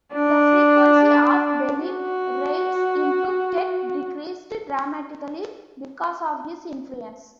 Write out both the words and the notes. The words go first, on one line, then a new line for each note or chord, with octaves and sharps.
The frequency of Paynim raids into Ket decreased dramatically because of his influence.
D4
F#4